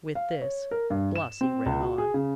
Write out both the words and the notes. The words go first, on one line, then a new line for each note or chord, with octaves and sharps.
With this Blasi ran on.
F5
C#5
A#4
G2
E7
C4
C#2
F#4
G#4
C#3